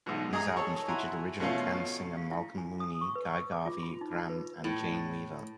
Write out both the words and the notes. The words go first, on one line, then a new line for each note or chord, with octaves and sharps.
These albums featured original Can singer Malcolm Mooney, Guy Garvey, Gramme, and Jane Weaver.
B1 G#2 B2
G#4 D#5 G#5 A#5 D#6
A4 C#5 C#6
E4 F#4 G#5 A#5 C6
B2 A3 C#4 F4
F5
E4
G#5
D#6
C#6
B4
D6
F4
B5
D#4
F4
B4
A2